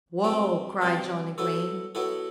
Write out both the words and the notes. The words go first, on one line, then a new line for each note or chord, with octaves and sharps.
"Whoa!" cried Johnnie Green.
B2 G3 C4 G4
B2 G3 C4 G4
F#3 B3 E4 A4
F#3 B3 E4 A4